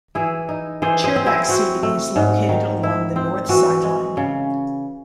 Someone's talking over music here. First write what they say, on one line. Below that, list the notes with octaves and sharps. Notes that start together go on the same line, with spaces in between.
Chairback seating is located along the north sideline.
E3 E4 G#4
D#4
E3 G#4 C5
G#4 C5
C4
E4 G#4
C4 F#4
A3
G#2
D#3
E4
C4
E3 F#4
G#3
C#3